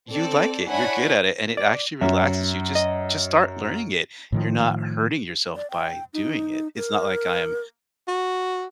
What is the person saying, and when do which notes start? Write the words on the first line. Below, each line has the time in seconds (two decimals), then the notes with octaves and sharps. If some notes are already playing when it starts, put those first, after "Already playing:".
you like it, you're good at it, and it actually relaxes you, just just start learning it. You're not hurting yourself by doing it," it's not like I'm,
0.11 C4 A4 D5
0.67 D4 E4 C#5 F#5 G#5 B5
1.57 D5
2.01 F#2 E5
2.75 D#5
4.32 A2 D#3 F3
5.56 D5
5.70 G5
6.13 D#4
6.76 A#4
8.08 F#4